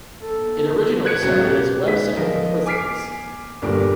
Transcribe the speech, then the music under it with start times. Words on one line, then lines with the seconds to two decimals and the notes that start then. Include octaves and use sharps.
It originally started as a website for quizzes.
0.22 A4
1.05 F#6 G#6 C#7
1.22 C#2 B2 F#3
1.43 G4
1.84 G#3 D#4 B4 B6
2.16 F3 A#4 D#5
2.66 G#5 D6 F6 B6 C7 D7
3.62 G1 A#2 G3 A#4 D6